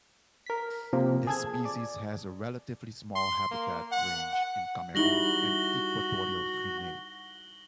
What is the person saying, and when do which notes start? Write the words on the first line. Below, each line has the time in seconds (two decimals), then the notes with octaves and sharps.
This species has a relatively small habitat range in Cameroon and Equatorial Guinea.
0.46 A#4 B6
0.93 C3 F3 A#3
1.27 G#4 A4 G#6
1.65 D5
3.16 C6
3.51 A#3
3.92 F#5
4.33 F#5
4.95 G3 D#4 E4 F#4 A#6 F#7 G7